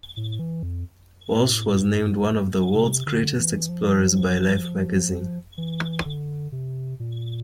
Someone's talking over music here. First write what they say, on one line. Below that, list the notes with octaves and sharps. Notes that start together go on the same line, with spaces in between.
Walsh was named one of the world's great explorers by "Life" magazine.
A2
E3
F2
A2
G2
C3
D3
E3
F3
E3
D3
C3
A#2